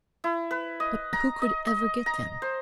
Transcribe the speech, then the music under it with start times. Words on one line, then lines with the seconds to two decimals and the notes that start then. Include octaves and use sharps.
But who could ever get them?
0.24 E4
0.51 B4
0.80 D#5
1.13 A#5
1.42 D#5
1.67 D#5
2.06 A#5
2.42 C5